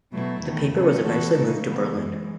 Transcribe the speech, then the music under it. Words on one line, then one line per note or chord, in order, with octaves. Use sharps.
The paper was eventually moved to Berlin.
B2 F#3 A3 E4
E2 D#3 A3
E2 C#3 F#3 A3 C#4
E3 B3 F#4 A4
C#3 G#3 D#4
C#3 E3 B3
F#2 E3 G#3